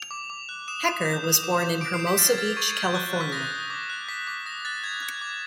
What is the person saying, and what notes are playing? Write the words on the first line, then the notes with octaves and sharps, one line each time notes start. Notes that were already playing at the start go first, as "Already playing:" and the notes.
Hecker was born in Hermosa Beach, California.
Already playing: F7
D6
D6
F#6
D#6 E7
D#6
G6
D#6
D6 E7
D6
D6 D7
C7
G6
B6
F6 A6
G#6
F6 A6
B6
C#6 G#6
G#6
F6
G6
F#6
F#6
B6
D#6 A#6
D#6
D6
F#6
D6 B6
D6 B6
D#6 A#6
F#6 A6
D#6 G#6
F#6
G#6
D6 G#6